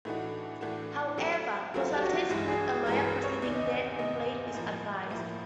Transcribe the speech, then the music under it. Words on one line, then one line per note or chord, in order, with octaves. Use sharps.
However, consultation with a lawyer preceding the complaint is advised.
A2 E3 A3 D4 D#4 F#4
A2 E3 A3 D4 F#4
F#3 A3 C4
F#3 A3 C4 F4
G4
F#4
G2 E3 G#3 F#4
G#4
G#4
G2 E3 G#3 A#4
B4
C#5
E2 C3 D#3 D5
D#5
D5
E2 C3 D#3 D#5
A2 F3 A#3
A2 F3 A#3 E5